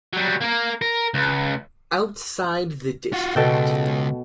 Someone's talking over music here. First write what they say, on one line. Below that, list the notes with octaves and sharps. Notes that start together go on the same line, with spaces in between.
Outside the district.
F#3 G3
A#3 A#4
A#4
C#2
F4 F#4
C#2 B2 A4 G5